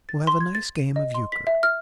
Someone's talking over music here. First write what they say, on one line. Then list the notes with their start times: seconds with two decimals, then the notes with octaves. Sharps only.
"We'll have a nice game of euchre."
0.09 A6
0.27 C6
0.40 G#6
0.55 A6
0.77 D#7
0.96 D#5
1.15 C6
1.32 B6
1.47 E5
1.63 F6